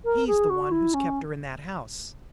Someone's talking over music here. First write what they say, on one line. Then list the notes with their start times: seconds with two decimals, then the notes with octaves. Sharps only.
He's the one who's kept her in that house.
0.04 A#4
0.27 G#4
0.49 F#4
0.71 E4
0.94 C#4